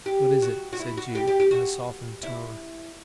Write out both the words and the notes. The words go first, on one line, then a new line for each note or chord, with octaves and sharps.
"What is it?" said Jude, in a softened tone.
G4
F#4
F#4
E4
F#4
G4
G4
G4
F#4
E4